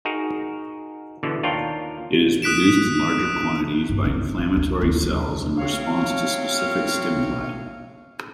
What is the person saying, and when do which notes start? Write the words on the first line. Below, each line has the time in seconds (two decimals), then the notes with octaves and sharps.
It is produced in larger quantities by inflammatory cells in response to specific stimuli.
0.05 D#4 F#4 G#4 A#4
1.23 B2 D3 E3
1.43 D#2 D4 F4 A#4 C#5 G5
2.42 D#6 F#6 B6 D7 E7
3.90 G2
4.05 B3
4.38 E3
4.57 D#2
4.82 D#2
5.02 F#3
5.58 A3 C4 F#4 C#5 F5